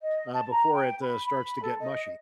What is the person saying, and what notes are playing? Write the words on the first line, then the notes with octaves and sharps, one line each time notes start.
uh, before it, uh, starts to get mushy.
D#5
A5
A#5
G5
B5
B5
A4
D#5